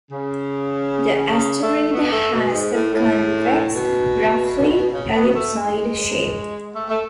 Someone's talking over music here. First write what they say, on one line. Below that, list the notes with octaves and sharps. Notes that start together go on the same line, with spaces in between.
The asteroid has a convex, roughly ellipsoid shape.
C#3
C#3
A3
B3
A3
B2
G#2
A2
A2
B2
C#3
B3
A3
G#3
A3
A3